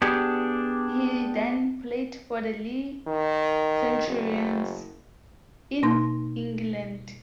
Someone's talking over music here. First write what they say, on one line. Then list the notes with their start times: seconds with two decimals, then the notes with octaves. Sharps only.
He then played for the Leigh Centurions in England.
0.02 B3 D4 G4 G#4
3.07 D#3
4.07 F#1
5.83 B2 A#3 D#4 C6